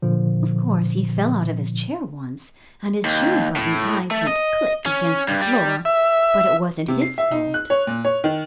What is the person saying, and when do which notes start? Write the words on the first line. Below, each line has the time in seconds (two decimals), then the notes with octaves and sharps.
Of course, he fell out of his chair once, and his shoe button eyes went "Click!" against the floor, but it wasn't his fault.
0.02 A#2 D3 F3
3.05 D#2
3.56 A2
4.11 A3
4.27 D#5
4.86 C#4
5.28 G2
5.42 G3
5.85 E5
6.88 C3
7.01 C7
7.18 E5
7.31 D#4
7.54 F#6
7.70 C#5
7.87 A#2
8.05 C#5
8.24 D#3